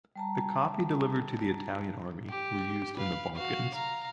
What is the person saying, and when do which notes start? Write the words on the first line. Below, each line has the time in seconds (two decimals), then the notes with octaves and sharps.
The copy delivered to the Italian army were used in the Balkans.
0.15 G3 A5 A#5
2.30 G4
2.96 B4 F5
3.35 F#4 F5
3.74 F5 A#5